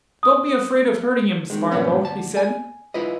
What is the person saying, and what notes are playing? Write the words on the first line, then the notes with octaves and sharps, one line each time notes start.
"Don't be afraid of hurting him, Spargo," he said.
D#6
D#3 G#3
G2 A#2 F#3 G3 B3 C#4
D2 A5
G#5
E4 F4 B4 D#5